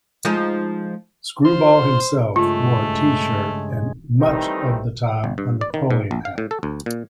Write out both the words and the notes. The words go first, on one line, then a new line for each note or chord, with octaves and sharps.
"Screwball" himself wore a T-shirt and, much of the time, a Napoleon hat.
F3 G#3 D#4
F4 C5 C6
G2 C#3 G#3 A3 F4
D#3 E3 G3 A3 C4 D#4
G1
G2
D5
D#3
G#2
A#1
F5
A2
A4
D2
A#2